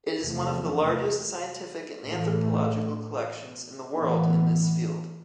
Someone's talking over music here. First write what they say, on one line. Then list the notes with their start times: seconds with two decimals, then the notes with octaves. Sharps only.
It is one of the largest scientific and anthropological collections in the world in this field.
0.20 E2 C3 F3 A3
2.06 A2 E3 A3
3.94 A2 E3 B3